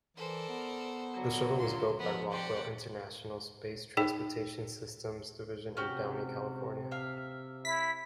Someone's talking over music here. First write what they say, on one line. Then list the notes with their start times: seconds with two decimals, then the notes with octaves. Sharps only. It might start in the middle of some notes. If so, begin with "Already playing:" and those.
The shuttle was built by Rockwell International's Space Transportation Systems Division in Downey, California.
0.17 E3 A4 A#4 C5 D5
0.49 B3
1.15 D3 F#3
1.59 F4 C6
1.99 F3 B3 A#4
2.31 C4 G4 D5 F#5 G5
3.97 D#4 G#4 G5
5.77 C3 C#4 F#4 G4
6.91 E5 F5
7.65 E4 B6